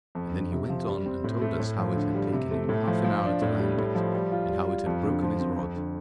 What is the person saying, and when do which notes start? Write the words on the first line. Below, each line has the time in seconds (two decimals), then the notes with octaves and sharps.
And then he went on, and told us how it had taken him half an hour to land it, and how it had broken his rod.
0.15 F2
0.33 D3
0.52 C3
0.69 F3
0.87 G3
1.06 C4
1.24 A2
1.41 A3
1.60 A2
1.79 F3
1.96 D3
2.15 G3
2.32 C3
2.51 A3
2.69 A2
2.87 F3
3.04 F3
3.23 D4
3.42 A2
3.59 G3
3.78 A2
3.95 F3
4.14 G3
4.32 F4
4.50 G3
4.68 F4
4.86 F2
5.04 D3
5.22 F3
5.40 C4
5.59 F2
5.76 D3